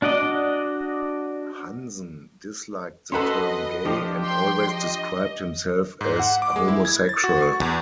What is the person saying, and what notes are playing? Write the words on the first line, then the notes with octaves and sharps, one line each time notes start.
Hansen disliked the term "gay" and always described himself as "homosexual".
D4 F#4 D5 D#5
C#4 F#4 A4 B4 D#5 B5 C6
F3 D4 G4
G5 C6
D#5
G#2
F#5
D6
G#3
E4
G#6
A6
F#4
C#6
E2